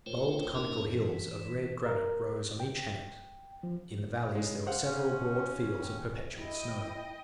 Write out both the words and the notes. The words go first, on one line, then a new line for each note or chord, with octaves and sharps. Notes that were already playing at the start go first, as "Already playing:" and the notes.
Bold conical hills of red granite rose on each hand; in the valleys there were several broad fields of perpetual snow.
A3 F4 A#4 C5 C#5 G5
A#3 C#4 D#4 E4 G#4 A#4
E3
A#4
G5
F3
C#3 G#3
C5 F5 F#5
C#4
D#2
E4 D#5 G5